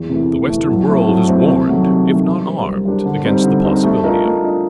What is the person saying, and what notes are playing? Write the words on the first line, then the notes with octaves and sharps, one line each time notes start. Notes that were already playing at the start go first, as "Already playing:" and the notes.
The Western world is warned, if not armed, against the possibility of it.
Already playing: E2
C3 E3 A3
E2
C3 E3 A3
F#3
A3 C4 E4
F#3
A3 C4 E4
C3
D#3 F#3 A3
C3
D#3 F#3 A3
G3
A#3 D4 G4 C5
G3
A#3 D4 G4 C5
D3
G3 C4 D#4
D3
G3 C4 D#4
A3
D4 F4 A#4 D#5
A3
D4 F4 A#4 D#5